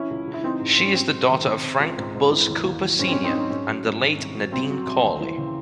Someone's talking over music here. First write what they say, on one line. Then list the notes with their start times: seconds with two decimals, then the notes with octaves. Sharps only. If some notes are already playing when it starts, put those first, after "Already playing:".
She is the daughter of Frank "Buzz" Cooper Senior and the late Nadine Corley.
Already playing: E3 C#4 E4
0.10 C#2
0.27 C#2
0.34 E4
0.43 E3 C4 D#4
0.60 G#2
0.77 G#2
0.85 C#4
0.94 F#3 C4
1.12 G#2
1.29 D#3
1.46 C3
1.63 C3
1.79 C#2
1.98 G#2
2.14 G#2
2.31 E3
2.48 D#2
2.64 D#2
2.82 F#3
2.99 G#2 C#4
3.07 C4
3.12 C#4
3.17 F#3
3.24 C4 D#4
3.32 F#3 C#4
3.50 G#2 C#4
3.67 F#3
3.84 G#2
4.01 D#3
4.18 C2
4.35 F#3
4.52 C2 C4
4.70 F#3
4.86 C2
5.03 D#2
5.20 E3
5.37 C#3